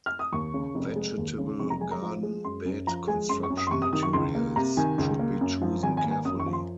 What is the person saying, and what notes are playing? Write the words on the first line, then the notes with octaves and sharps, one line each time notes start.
Vegetable garden bed construction materials should be chosen carefully.
F6
D#6
D#2 C#6
C#3
F1
G#3
D#2
C#3
F1 C#6
A#5
G#3 G#5
A#5
F3
G#3
F#2 C6
F#2
F3 A#5
G#3 G#5
F#2 C6
C#6
F#2
D#6
C6
C3 C#6
D#6
D#3 D#6
C#6
C#2 C6
A#3
C3 A#5
D#3 G#5
C#2
A#3
F#2
F3
G#1 G#5
G#5
A#3
G#5
F#2 D#6
C#6
F3
C6